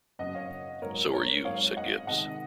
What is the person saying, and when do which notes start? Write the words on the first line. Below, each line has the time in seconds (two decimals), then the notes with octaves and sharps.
"So are you," said Gibbs.
0.19 F#2 C#3 F#3 A#3 D#5 F#5
0.35 C#5 F5
0.82 G#2 F#3 A#3 A#4 C#5
1.13 A#4 C#5
1.45 G#2 F#3 A#3 C#5 F5
1.77 D#5 F#5
2.07 C3 D#3 G#3 D#5 F#5